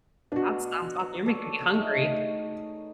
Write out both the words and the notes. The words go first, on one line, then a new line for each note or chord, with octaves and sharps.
That sounds aw You're making me hungry.
B2 D4 F#4
A4 C#5 D5
A3 D#4 G#4